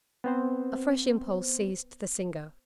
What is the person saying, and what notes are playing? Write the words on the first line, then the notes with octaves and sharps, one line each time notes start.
A fresh impulse seized the singer.
B3 C4 C5